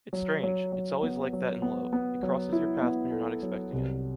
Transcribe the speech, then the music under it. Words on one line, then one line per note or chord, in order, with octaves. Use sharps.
It’s strange, it’s always like that in love, it crosses your path when you’re not expecting it.
F#3
F#3
F#3
B3
F#3
B3
B3
F#3
E4
B3
A4
F#3
C2